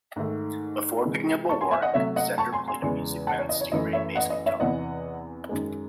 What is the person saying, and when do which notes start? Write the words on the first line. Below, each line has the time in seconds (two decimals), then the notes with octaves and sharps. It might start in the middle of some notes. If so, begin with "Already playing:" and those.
Before picking up a Warwick, Zender played a Music Man Stingray bass guitar.
0.16 G#2 D#3 A3
1.05 C3 E3 G#3
1.49 A5 C#6
1.61 G#5 C6
1.71 E5 G#5
1.82 D#5 F#5
1.93 C3 F#3 A3 C#5 E5
2.16 D#5 F#5
2.38 A5 C#6
2.52 G#5 C6
2.68 G#5 C6
2.82 E2 C#3 E3 G#3
3.27 F#5 A5
3.39 C#5
3.49 D#5
3.61 C#5
3.72 F#2 E3 A3 D#5
3.93 C#5 E5
4.15 D#5 F#5
4.30 D#5
4.46 C#5 E5
4.60 E2 C3 E3 D#5 F#5
5.49 F#2 D#3 G#3